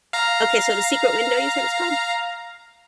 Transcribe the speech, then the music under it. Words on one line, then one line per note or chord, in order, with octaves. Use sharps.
Okay, so The Secret Window, you said it's called?
F5 A#5